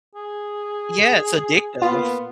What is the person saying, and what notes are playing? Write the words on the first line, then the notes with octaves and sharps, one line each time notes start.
Yeah, it's addictive.
G#4
A#2 B3 F4